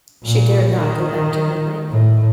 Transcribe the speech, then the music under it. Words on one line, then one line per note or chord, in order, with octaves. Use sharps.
She dared not go back to her room.
A#2
D#3
A2